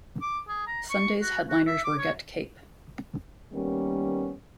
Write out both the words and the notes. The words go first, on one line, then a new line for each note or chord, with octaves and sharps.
Sunday's headliners were Get Cape.
D6
G#4
A#5
C#6
F#4
F#4
E5
D6
C#5
D#3 G3 A#3 B3 C#4